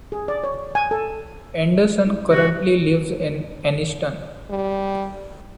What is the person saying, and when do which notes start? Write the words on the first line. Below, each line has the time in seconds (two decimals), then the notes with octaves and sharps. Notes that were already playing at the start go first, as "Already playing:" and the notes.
Anderson currently lives in Anniston.
0.12 G#4
0.28 D5
0.44 C#5
0.75 G#5
0.91 A4
2.06 C#4 E4
2.31 C#3 F#4 G4
4.50 G3